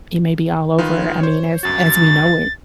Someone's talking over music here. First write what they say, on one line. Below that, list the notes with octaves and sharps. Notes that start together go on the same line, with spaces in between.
it may be all over, I mean, as as we know it.
D#3 F4 B4
C5 C#5
G1 F#2 F#4 A6